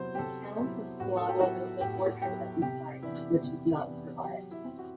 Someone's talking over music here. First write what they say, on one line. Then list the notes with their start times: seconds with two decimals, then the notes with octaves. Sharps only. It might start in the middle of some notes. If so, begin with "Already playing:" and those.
The counts of Celano built a fortress at this site, which has not survived.
Already playing: C3 F#3 B3 E4 C5
0.15 G4
0.19 C3 A4
0.59 F#3 B3 E4
1.00 A2 F#4
1.17 A4
1.29 G4
1.40 F#3 B3 E4 F#4
1.81 A2 G4
2.22 F#3 B3 E4 G4
2.62 C3 G4
3.03 E3 B3 D4 E4
3.43 C3 E4
3.84 E3 B3 D4
4.24 F#3 G4
4.51 E4
4.65 C4 E4
4.78 F#4